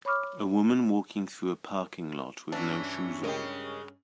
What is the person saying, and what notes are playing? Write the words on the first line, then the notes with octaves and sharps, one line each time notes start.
A woman walking through a parking lot with no shoes on.
C#5 B5 C#6 D6 F6
G2 E3 F#3 C#4 D4
C#3 G#3 G4 A#4 D#5